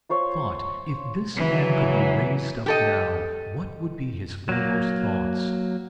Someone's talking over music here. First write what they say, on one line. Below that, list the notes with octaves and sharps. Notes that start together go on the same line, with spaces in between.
He thought, if this man could be raised up now, what would be his foremost thoughts?
F4 C5 C#5
C#3 E3 F#3
G4 A4 D#5
F#3 A#3